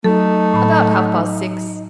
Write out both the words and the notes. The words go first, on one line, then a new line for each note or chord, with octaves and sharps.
"About half-past six."
F#3 A3 D#4 A4
A2 B5